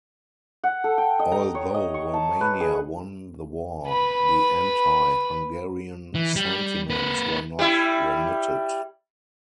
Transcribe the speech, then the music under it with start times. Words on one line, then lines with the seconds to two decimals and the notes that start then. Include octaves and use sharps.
Although Romania won the war, the Anti-Hungarian sentiments were not remitted.
0.64 F#5
0.84 A4
0.98 G5
1.19 D#5
1.32 A#5
1.55 C#5
1.74 D#5
1.94 C#6
2.14 A5
2.41 B4
2.60 G#4
3.87 B4 B5
6.15 E3
6.36 G3
6.90 A#3 B4
7.59 G3 E4